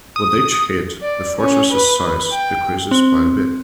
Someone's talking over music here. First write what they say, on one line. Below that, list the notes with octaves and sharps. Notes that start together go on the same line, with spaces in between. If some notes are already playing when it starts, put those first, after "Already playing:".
With each hit the fortress' size decreases by a bit.
D#6
D5
C#4
B4
G5
C4